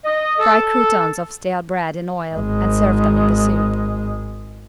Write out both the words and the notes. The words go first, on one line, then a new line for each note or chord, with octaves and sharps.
Fry croutons of stale bread in oil and serve them in the soup.
D#5
A4
G#1 G#3